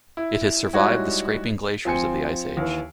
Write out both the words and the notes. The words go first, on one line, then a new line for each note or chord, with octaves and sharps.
It has survived the scraping glaciers of the ice age.
E4
G3 G#3 D#4 E4 F#4 C#5
F3 C4 G#5 C#7
D#2 E3